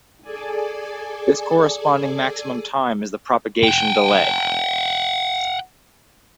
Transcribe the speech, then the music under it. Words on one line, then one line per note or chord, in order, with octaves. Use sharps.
This corresponding maximum time is the propagation delay.
G#4 A4 D5 G#5
F#5 G5